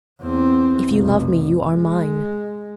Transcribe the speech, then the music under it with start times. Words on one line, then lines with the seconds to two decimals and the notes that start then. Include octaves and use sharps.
If you love me, you are mine.
0.21 E2 C4
0.90 F1 B1
1.71 G#3